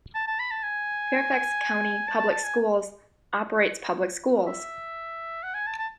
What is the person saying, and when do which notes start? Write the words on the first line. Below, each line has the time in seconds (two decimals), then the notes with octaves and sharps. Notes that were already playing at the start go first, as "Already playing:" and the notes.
Fairfax County Public Schools operates public schools.
0.15 A5
0.27 A5
0.39 B5
0.51 A5
0.63 G#5
2.08 A5
2.19 A5
2.30 A5
2.44 G#5
4.47 E5
5.43 F#5
5.54 G#5
5.67 A5
5.79 A5